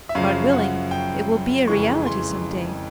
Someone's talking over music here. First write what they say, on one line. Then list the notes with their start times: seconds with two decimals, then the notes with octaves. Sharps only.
God willing, it will be a reality some day.
0.09 E5
0.15 F#2 C#3 F3 F5
0.53 F#5
0.91 G5
1.67 F2 C#3 E3 G#3 C#6
2.07 C6